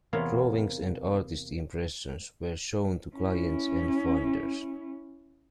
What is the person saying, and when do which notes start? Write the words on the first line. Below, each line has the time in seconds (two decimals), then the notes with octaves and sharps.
Drawings and artist impressions were shown to clients and funders.
0.13 E2 C3 A#3 B3 C#5 F5
3.16 C#4 E4